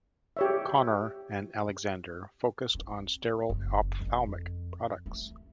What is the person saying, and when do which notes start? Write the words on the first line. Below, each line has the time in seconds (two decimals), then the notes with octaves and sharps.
Conner and Alexander focused on sterile ophthalmic products.
0.37 G4 C#5 E5
2.75 C4
3.49 F#1
4.00 F2
5.06 A3